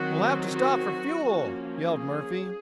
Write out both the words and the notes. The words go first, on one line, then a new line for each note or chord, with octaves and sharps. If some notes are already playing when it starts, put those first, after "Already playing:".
"We'll have to stop for fuel," yelled Murphy.
Already playing: D#3 F#3 C4 F#4
F#4
F3 A#3 C#4
G#4